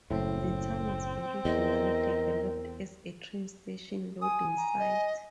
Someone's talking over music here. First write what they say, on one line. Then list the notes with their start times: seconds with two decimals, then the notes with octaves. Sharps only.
The town was originally developed as a train station loading site.
0.11 F#1 A2 C4
1.45 E2 A#4 D#5
4.22 G#5 D#6
4.57 A#5
4.79 D#5